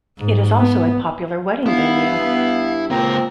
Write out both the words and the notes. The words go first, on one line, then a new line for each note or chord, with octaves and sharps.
It is also a popular wedding venue.
G#2
B3
G2 B3 E4 F5
C#2 A#2 C4 A#4